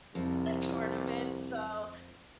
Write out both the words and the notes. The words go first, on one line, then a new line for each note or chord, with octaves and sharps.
tournament, so
C2 F2